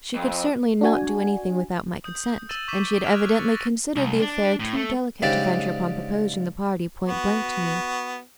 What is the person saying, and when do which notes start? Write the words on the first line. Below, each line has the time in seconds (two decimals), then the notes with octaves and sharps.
She could certainly not do anything without my consent, and she had evidently considered the affair too delicate to venture upon proposing the party point-blank to me.
0.15 F2
0.81 D4 F#4 G#5
2.04 D#6 G6
2.49 E6 A6 D#7 E7 F#7
2.68 C#6 D6 G6 B6 D#7 E7
3.03 F6 F#6 G#6 D7 E7 F7
3.36 A6 C#7
3.49 A6 A#6
3.96 C2
4.21 D4
4.60 A2
4.75 A3
5.23 G#2 C#3 C4 D4 G4 D5
7.05 B3 F#4